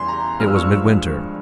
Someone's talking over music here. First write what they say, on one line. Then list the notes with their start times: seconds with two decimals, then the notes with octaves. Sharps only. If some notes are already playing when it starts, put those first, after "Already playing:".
It was midwinter.
Already playing: E2 C#3 E3 G3 C6
0.08 A#5
0.40 G2 F3 G#3 F6
0.47 E6
0.55 C#6
0.63 E6